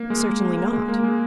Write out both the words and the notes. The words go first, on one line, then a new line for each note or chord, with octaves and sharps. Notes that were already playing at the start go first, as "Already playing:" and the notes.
"Certainly not."
Already playing: A#3
G#3
A#3
G#3
A#3
G#3